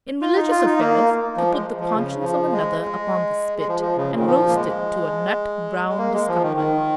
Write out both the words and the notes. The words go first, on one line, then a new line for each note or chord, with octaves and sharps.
In religious affairs, to put the conscience of another upon the spit and roast it to a nut-brown discomfort.
F4
D#4
F4
D#4
A#3
F3
G#3
F3
C#3
F3
G#3
G#3
G#3
F3
F3
C#3
A#2
D#3
F3
A#3
G#3
G#3
A#3
G#3
F3
D#3
D#3